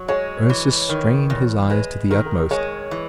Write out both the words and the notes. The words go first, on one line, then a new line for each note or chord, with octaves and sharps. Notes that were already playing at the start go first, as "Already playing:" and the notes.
Ursus strained his eyes to the utmost.
Already playing: F#3
G#3 C#5
E3
D#3
E2
G#3 B4
D#3 A#4
A#4
G#3 C#5
E3